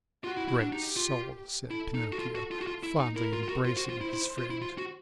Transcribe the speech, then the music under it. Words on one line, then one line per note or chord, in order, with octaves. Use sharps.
"Great soul!" said Pinocchio, fondly embracing his friend.
F4 F#4
E4
E4
D4
D#4 G4
F4
E4 A4
D#4
F#4
F4
F#4
F4
F#4
F4
E4
D#4
E4 A#4
F4
F4
F#4
F4 C5
F#4
F4
E4
E4
F4
E4
F4
F#4